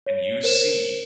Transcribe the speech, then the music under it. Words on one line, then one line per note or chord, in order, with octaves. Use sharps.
and you see,
C#5
A#4 C5 E7